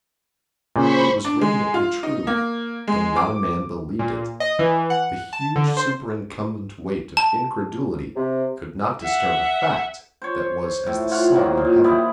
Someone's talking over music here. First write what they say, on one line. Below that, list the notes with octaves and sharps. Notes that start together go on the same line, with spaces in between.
It was radiantly true, though not a man believed it; the huge superincumbent weight of incredulity could not disturb a fact that was as the sun in heaven.
A#2 C#3 C5 B5 C#6
D4
G#3
F4
D#4
A#3
G#3
D6
A#2
D#5
E3
F#5
A5
D3
C5
A5
C3
E5 F#5
C5 C#5
A2
F4 C#5 F#5 C6
D#3 F#3 A#3 C4
A#2
E4 G4 D5 D#5